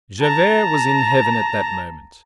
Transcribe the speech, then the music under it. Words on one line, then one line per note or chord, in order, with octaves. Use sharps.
Javert was in heaven at that moment.
A5 A#5